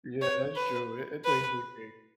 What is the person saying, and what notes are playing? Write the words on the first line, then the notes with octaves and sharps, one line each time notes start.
Yeah, that's true. It it takes the cake.
C#5
B4
B4